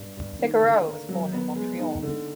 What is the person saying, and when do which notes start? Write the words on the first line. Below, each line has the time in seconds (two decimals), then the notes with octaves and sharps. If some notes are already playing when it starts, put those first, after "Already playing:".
Figueroa was born in Montreal.
Already playing: G2
0.17 G2
0.39 D#3
0.63 D3
0.87 A#3
1.09 F#3
1.32 B3
1.55 G#3
1.79 D#4
2.02 D3